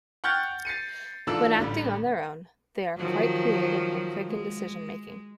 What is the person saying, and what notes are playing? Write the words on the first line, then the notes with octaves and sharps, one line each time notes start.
When acting on their own, they are quite creative and quick in decision making.
F#5 G5 C#6 F6 G6 A6
A6 C7 C#7 D#7
G#2 E3 D4 F4 A4 E6
A1 D3 G3
D#3 F3 F#3
G#3